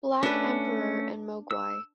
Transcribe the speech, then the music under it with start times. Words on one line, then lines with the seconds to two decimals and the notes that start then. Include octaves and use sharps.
Black Emperor and Mogwai.
0.23 A3 C#4 D4 B4
1.51 E6